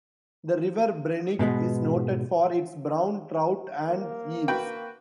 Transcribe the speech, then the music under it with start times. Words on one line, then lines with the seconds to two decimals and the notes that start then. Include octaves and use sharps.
The River Brenig is noted for its brown trout and eels.
1.39 G#2 B2 G#3 B3
3.87 A#3
4.48 F#4 B4 G5